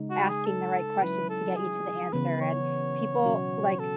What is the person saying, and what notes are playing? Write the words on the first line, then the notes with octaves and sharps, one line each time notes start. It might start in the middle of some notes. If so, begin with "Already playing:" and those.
asking the right questions to get you to the answer, and people, like
Already playing: C#3 G#3 D#4
F#4
G#4
A4
F#3 C#4 E4 B4
A4
G#4
C#3 E3 B3 B4
C#5
B2 F#3 C#4 F#4
A4